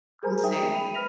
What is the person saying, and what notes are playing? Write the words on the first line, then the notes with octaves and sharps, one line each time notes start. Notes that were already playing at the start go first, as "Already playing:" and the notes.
I see.
G#4 A#4 C5 G#5 A#5
D#4 G#4 E5 G5 D#6
B5 D#7 F7
B4 B5 F6 A#6 B6 F7